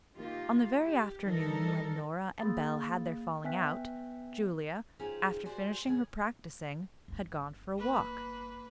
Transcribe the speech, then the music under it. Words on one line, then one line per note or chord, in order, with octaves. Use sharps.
On the very afternoon when Nora and Belle had their falling out, Julia, after finishing her practising, had gone for a walk.
D#3 A#3 F4 G4
G4
E3 G3 D#4 A4 A#4
A#3 G#4 B5 D#6 A6
B3 E5 G5 G#5 F#6 B6
C#4 D#4 F4 G4 G#4 C5
F#4 G4 C5 D5 G#5
A2 C#3 G#4
G1 G2
A#3 B4